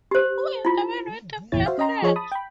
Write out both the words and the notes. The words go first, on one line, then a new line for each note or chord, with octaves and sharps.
Who is the man with the black hat?
G4 C5
E4 F4
G1 E2 A#2 E4 C#5 A6
F#4 C5 E5 F5
C#4 D#5 G5 A#5 C6
F3 F4 G#4 C5 C#5 D#5
A5 B5 D#6
G5 B5